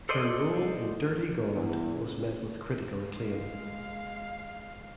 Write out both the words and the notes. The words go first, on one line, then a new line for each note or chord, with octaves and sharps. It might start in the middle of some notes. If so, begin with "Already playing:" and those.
Her role in "Dirty God" was met with critical acclaim.
A4 C5 D5 D#5
E2
C#3
G#3 F5